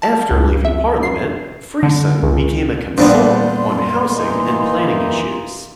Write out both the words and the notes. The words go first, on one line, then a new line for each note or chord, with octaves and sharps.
After leaving Parliament, Freeson became a consultant on housing and planning issues.
A5
C#2
E5
C7
D3
C#2
A#2 G3 B3 D4 C5 C6
E3 A#3 D#4